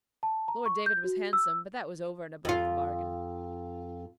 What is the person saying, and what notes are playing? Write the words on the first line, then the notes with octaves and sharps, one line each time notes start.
Lord David was handsome, but that was over and above the bargain.
A5
A#5
C#6
G6
F#4
E6
F2 F4